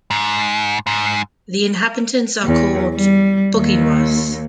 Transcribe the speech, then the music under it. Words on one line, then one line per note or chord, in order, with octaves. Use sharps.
The inhabitants are called "Boginois".
G#2
G#2
E2
G3
D#2